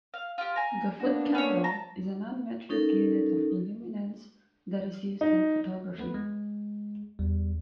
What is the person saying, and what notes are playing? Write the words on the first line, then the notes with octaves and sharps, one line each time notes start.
The foot-candle is a non-metric unit of illuminance that is used in photography.
F5
F4 G4
G#5 A#5
A#3 B3 D4 F#4
C#4 C#5
A5 A#5
C#4 D#4 A4 A#4
D#4
A3 B3 B4
G#3
E2 G3